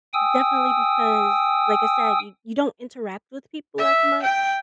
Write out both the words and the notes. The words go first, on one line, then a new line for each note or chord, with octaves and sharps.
definitely because like I said, you you don't interact with people as much.
G5 G#5 D#6 E6
E5
G5